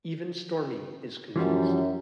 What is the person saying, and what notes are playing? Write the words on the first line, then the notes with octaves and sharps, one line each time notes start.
Even Stormy is confused.
F#2 E3 F3 G3